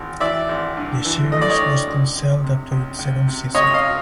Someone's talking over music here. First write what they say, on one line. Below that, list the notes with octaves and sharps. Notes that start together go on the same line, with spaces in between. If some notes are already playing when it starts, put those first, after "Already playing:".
The series was cancelled after its second season.
Already playing: G#1 E3
E3 D5 E5
G#1
G2
E3
A3 D#5
D5
C#5 D#5
G2
C#2
C#2
C3
C#2
C#2
C3
C#2 C#5 D#5
D#5 F5